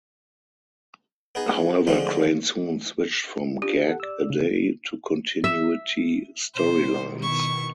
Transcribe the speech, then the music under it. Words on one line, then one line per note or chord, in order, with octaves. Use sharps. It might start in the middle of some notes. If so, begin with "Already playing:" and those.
However, Crane soon switched from gag-a-day to continuity storylines.
B3 D#4 G#4
D3 F3 G#3 A3 C4
D4 F4 G4
A4 F#5
D5 E6
C#3
E5
B2 D#3 C5
E4 C#6